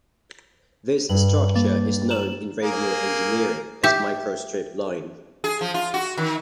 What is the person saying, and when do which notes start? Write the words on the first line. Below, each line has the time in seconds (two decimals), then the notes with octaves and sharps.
This structure is known in radio engineering as microstrip line.
1.09 G2 F#7
1.55 G3 A#3 A6
2.10 A#5 E7 F#7
2.63 A#3 G#4
3.83 G4 E5
5.44 G#4
5.61 F3
5.74 F4
5.94 F#4
6.17 D#3